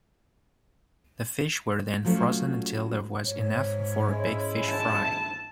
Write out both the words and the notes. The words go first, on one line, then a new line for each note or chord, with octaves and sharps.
The fish were then frozen until there was enough for a big fish fry.
F3 F#3 A3 C#4
G#2 C#5
G#3 C#4 E4
A5